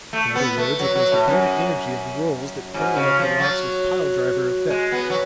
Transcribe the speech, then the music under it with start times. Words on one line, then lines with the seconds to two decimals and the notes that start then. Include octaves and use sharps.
In other words, it was the kinetic energy of the rolls that crumbled up the rocks with pile-driver effect.
0.13 A3
0.35 B3
0.57 A3
0.79 F#3
0.95 F#3
1.12 A2
1.28 F#2
2.74 G#2
2.96 C#3
3.19 F3
3.40 F#3
4.70 G#3
4.92 B3
5.10 F#3